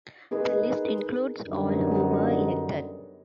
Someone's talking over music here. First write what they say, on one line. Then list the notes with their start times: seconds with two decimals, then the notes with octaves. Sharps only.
The list includes all who were elected.
0.31 D#4 G#4 A#4 B4 D#5
1.46 F#2 D3 G3 B3 D#4